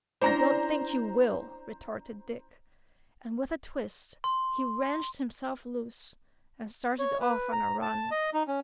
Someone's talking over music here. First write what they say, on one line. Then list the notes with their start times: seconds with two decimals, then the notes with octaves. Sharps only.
"I don't think you will!" retorted Dick, and with a twist he wrenched himself loose and started off on a run.
0.21 C#4 D4 E4 C5 A#5 A#6
4.24 C6
6.99 C#5
7.21 B4
7.52 A#5
7.82 A5
8.11 D#5
8.34 D#4
8.48 C#4